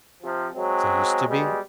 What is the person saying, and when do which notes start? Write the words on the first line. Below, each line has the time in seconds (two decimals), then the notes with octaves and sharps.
"As I used to be?"
0.23 C3 F3
0.55 F#3 G#3 C4
1.27 B2 G3 G#3